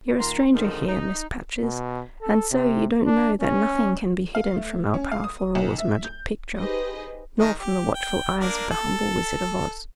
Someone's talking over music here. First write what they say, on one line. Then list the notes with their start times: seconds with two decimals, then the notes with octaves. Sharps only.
You're a stranger here, Miss Patches, and so you don't know that nothing can be hidden from our powerful Ruler's Magic Picture--nor from the watchful eyes of the humble Wizard of Oz.
0.18 A#2 D#3 A#3 A#5 C6
0.54 G#2 D3 D#3 F3 C4 D#4
0.88 D#4
1.61 B2
2.22 A4
2.52 C3
3.06 D4
3.41 C#4
4.35 F5
4.56 A3
4.94 C#4
5.12 F5
5.24 D#6
5.55 B1
5.78 E5
6.04 G6
6.57 D#4 G4 G#4 B4 C5 D#5
7.40 D#3 G#3 D#4
7.60 G4
7.95 G5
8.41 A#3 D4 A#4
8.71 A4